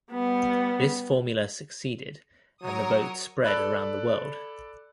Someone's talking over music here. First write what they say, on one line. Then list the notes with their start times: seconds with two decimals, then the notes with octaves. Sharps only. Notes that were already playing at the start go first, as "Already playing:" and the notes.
This formula succeeded, and the boat spread around the world.
0.12 G3 B3
2.62 F#3 A#4 C#5 D#6
3.44 A4 D5 B5 F#6